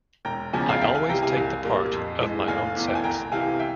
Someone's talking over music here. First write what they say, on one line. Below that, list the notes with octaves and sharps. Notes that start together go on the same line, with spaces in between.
I always take the part of my own sex.
E1 G5 A#5
E2 C#3 F3 G#5
A#5
F5 G#5
C2 E5 G5
F5 G#5
C3 E3 G3 G5 A#5
F5 G#5
C2
A#2 G3 A#3
F2
E3 G#3
F1 F5 G#5
E2 E3
G5
G#5
C2 G5 A#5
C3 E3 F5 G#5
E5 G5